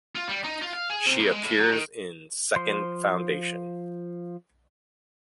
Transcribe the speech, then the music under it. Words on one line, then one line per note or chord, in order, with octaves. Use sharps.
She appears in "Second Foundation".
F4
G3
D#4
F4
F5
G#4
C3
B1
G#3
A2
F#3
D#3
F3 C5 C6